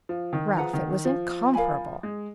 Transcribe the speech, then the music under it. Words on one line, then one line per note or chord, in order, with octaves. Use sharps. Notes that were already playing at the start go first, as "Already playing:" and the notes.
"Ralph, it was incomparable!"
F3
D#3
F3 G#4 B4 F#5 A#5
D#3
D#3
F3
A#4 F5 G#5 B5
G#3